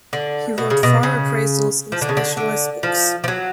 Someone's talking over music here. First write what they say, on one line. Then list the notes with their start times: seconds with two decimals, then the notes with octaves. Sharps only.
He wrote far appraisals and specialized books.
0.13 D3
0.58 B2
0.70 C#3
0.83 B2
1.03 C#3
1.92 F3
2.01 D3
2.09 C#3
2.17 D3
2.37 D3
2.83 F3
3.24 F3
3.28 F#3